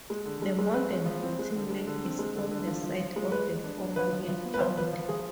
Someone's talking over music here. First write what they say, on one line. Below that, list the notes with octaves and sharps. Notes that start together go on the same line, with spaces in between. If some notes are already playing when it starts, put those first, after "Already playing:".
The modern boating lake is on the site of the former mill pond.
G#3
D3
G#3
G#3
C4 B4
G#3
F3
C4
G#3
D3
G#3
D3
C4
G#3
D3
D3
F3
F3
F3
G#3
G#3 B4
G#3
D4
D4
F3 B4
F3
F3
B3
B4
F3 C5
F3 B4
F3
F3 G#4